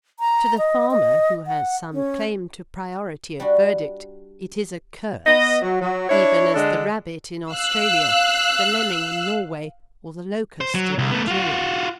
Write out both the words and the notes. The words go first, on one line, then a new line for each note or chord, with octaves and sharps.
To the farmer, who has some claim to priority of verdict, it is a curse, even as the rabbit in Australia, the lemming in Norway, or the locust in Algeria.
A#5
D#5
D#5
F#5
C#4
G3 D4 F#4
B3 D#5
F#3
F#3
D4 E4 C#5
D3 G#3 D4 A4
F5 E6 F#6
C5
F#3
C2
A3 B3
F4 F#4